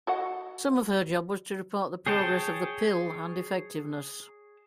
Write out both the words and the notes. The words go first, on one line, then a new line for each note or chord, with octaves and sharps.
Some of her job was to report the progress of the pill and effectiveness.
F#4 D#5 F#5
G#4 C#5 G5 A5